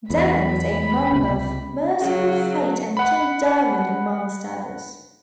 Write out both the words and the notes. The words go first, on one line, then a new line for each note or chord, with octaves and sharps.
Denner was a member of Mercyful Fate and King Diamond amongst others.
E2 B5
C#2 C3
C#3 F#3
F#5 B5